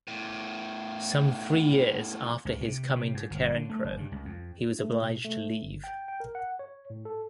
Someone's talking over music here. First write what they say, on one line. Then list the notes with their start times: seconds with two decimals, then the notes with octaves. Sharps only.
Some three years after his coming to Carencro, he was obliged to leave.
0.08 E2 A2
2.45 C#2
2.61 C3
2.95 C3
3.14 G#2
3.31 G1
3.54 D3
3.70 A3
3.85 F#1
3.97 G2
4.12 C#2
4.25 F2
4.79 A3
5.02 B2
5.25 A3
5.63 G1
5.84 G5
6.08 G5
6.20 A#4
6.35 F#5
6.59 C#5
6.90 A2
7.05 A4